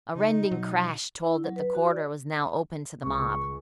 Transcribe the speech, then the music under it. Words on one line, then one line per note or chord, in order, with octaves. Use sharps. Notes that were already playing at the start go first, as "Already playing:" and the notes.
A rending crash told that the corridor was now open to the mob.
C#3 D#4
B2 F#3
E4
F#3
B4
F#4
D5
C#2 C#6